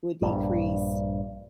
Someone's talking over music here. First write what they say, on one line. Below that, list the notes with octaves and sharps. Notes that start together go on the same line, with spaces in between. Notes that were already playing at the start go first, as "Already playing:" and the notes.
would decrease.
A#1 G2